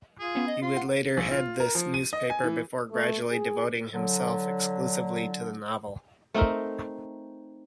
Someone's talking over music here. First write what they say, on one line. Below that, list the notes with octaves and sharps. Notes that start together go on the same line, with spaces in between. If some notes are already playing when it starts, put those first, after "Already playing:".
He would later head this newspaper before gradually devoting himself exclusively to the novel.
F4 G#4
B3 C#4
D#5
F4 C6
F#5
A#1
F4
A#4
F3
D#7
D#5
G#5
E3
A3
G#4
D3 F#3
A3 C4 D#4 A#4